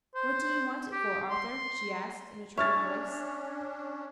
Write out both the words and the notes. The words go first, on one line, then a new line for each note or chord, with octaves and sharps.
"What do you want it for, Arthur?" she asked in a troubled voice.
C5
G4
C6
C#4 D4 C#5 E5 F6 A6